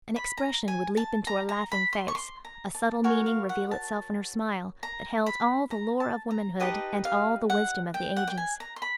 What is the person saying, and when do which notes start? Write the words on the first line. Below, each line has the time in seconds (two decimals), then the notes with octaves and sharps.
An expression would leap into her laughing face, a subtle meaning reveal itself in her smile, that held all the lore of womanhood and all the wisdom of the ages.
0.16 B5
0.37 A#5
0.68 G#5
0.97 A5
1.27 A#5
1.49 A#5
1.72 B5
1.93 C6
2.08 C#6
2.15 C6
2.45 A#5
2.74 A5
3.04 F#4 A#4 C#5 G#5
3.26 F5
3.49 F#5
3.71 A5
4.83 A#5
5.26 B5
5.71 A#5
6.00 A5
6.31 A#5
6.60 D#4 G4 B4 D#5 A5
7.05 F5
7.50 F#5
7.94 G5
8.16 F#5
8.28 G5
8.38 G#5
8.60 A#5
8.76 C6
8.82 B5